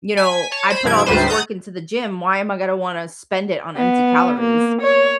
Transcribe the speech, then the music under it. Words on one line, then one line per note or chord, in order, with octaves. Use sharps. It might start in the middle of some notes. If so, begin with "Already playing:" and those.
you know, "I put all this work into the gym, why am I gonna wanna spend it on empty calories?"
G#5 B6
C#5 A5
C5 B5
G2 C3 F3 E4 G#6 D7
D2 G#2 G3 B4 C5 E7
F#5 A#5 D#6 G6 A6
B3
A#3
C#5